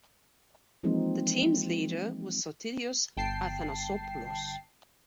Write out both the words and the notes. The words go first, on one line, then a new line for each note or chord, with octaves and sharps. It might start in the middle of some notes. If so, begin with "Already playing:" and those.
The team's leader was Sotirios Athanasopoulos.
E3 F3 G#3 A#3 C4 D#4
G1 G5 A5 C7